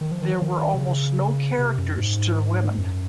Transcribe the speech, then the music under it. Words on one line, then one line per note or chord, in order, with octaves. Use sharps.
There were almost no characters to the women.
D#3
F3
D#3
F3
D#3
C3
C#3
C3
F#2
G#2
F#2